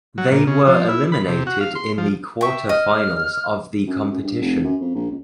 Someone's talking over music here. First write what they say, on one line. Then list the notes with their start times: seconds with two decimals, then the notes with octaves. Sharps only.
They were eliminated in the quarterfinals of the competition.
0.18 F#3
0.32 A#2
0.47 C#3
0.67 F3
0.88 E4
1.12 B5
1.28 C3
1.47 F#4
1.61 F5
1.75 C6
1.98 F3
2.41 E5 G5 C#6
2.69 D#5 F6
3.87 F#2
4.10 F#2
4.24 G2
4.42 F1
4.64 F#2
4.81 F2
4.95 A#1
5.11 C#2